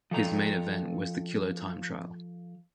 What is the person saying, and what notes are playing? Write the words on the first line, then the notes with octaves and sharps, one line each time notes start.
His main event was the Kilo Time Trial.
F3 A4 A#5